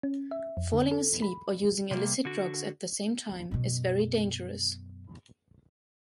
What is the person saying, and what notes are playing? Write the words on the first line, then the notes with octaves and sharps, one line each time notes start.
Falling asleep or using illicit drugs at the same time is very dangerous.
C#4
E5
F2
D3
A4
B5
C3 G3 A#3
D3 F#4
F#2 B2